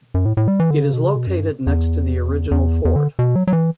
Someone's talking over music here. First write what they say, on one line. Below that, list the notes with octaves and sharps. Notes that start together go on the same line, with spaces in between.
It is located next to the original fort.
F#2
A2
A2
G3
E3
D3
C#3
B2
C#3
B2
F#2
G2
E2
E2
E2
D3
B2
F#3
F#3
E3